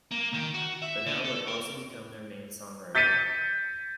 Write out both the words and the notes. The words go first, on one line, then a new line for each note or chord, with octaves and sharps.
Bunnell would also become their main songwriter.
A#3
D#3
F#4
E5
D3
A4
A#4
G6 A6 B6 C#7 D#7